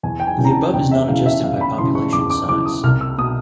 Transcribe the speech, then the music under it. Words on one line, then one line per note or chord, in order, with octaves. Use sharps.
The above is not adjusted by population size.
E2 G#5
G5
G#5
C#3 E3
A#5
A5
E2 G5
E5
C#3 E3 F5
E5
E2 F5
B5
C#3 E3 C6
C#6
E2 D6
D6
C#3 E3 D6
D#6
C2 F6
E6
B2 D#6